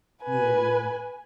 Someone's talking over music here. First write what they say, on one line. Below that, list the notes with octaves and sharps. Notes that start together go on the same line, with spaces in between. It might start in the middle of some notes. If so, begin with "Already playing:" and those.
Yeah, yeah.
B4 G#5